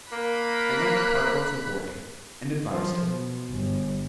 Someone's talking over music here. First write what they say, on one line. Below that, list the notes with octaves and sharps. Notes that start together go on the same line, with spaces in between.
At length part were for boarding, and advised it.
A#3 B5 F#6
F3
B2
G1